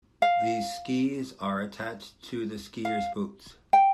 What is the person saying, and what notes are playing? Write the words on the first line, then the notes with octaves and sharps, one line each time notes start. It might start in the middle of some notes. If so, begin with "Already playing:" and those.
These skis are attached to the skiers' boots.
F5
F5
G5